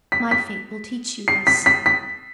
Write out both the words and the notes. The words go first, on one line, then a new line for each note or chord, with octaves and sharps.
My fate will teach you this..
B6
B6
C7
B6
B6
B6